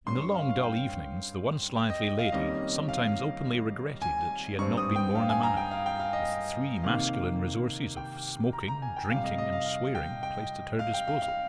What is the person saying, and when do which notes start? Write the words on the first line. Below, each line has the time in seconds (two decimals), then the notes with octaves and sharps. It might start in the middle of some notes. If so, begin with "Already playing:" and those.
In the long dull evenings, the once-lively lady sometimes openly regretted that she had not been born a man--with the three masculine resources of smoking, drinking, and swearing placed at her disposal.
0.06 G2 G3 C#4 C6
0.21 C#6
0.34 F5
0.49 F5
0.63 G5
1.76 G5
1.90 D#5
2.04 D#5
2.19 F5
2.32 F2 D#3 G3 A#3 C#4 D#5
2.89 F5
4.02 G#5
4.59 G2 G3 C4 C#6
4.77 D#6
4.96 G5
5.15 F5
5.29 G#5
5.43 A#5
5.57 G5
5.71 F5
5.86 G5
5.99 F5
6.13 D#5
6.84 C3 D#3 A#3 F5
7.97 G5
8.53 A#5
8.68 A#5
8.82 G#5
8.96 G5
9.10 F2 C3 G3 F5
9.24 D#5
9.38 D#5
9.53 F5
9.66 F5
9.95 G5
10.23 G5
10.79 F5
10.94 G5
11.07 F5
11.22 F5